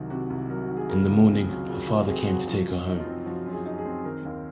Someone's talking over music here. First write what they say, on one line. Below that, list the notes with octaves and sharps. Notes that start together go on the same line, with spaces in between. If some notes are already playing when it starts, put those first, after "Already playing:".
In the morning, her father came to take her home.
Already playing: C2 C3 D#3 F#3 F#4
C3 F#4
C2
F#3 A#4
F#4
D#3
G#4
C#3 A#4
C#2
C4 G#4
F#3
C#3 F4
C#2 F#4
F#4
C4 G#4
F#3 F#4
F3 F#4
F#2
F#4
D#4
F4
C4
F3 F#4
F#2
G#4
D#4
G#4
C4
D#3 A#4
D#2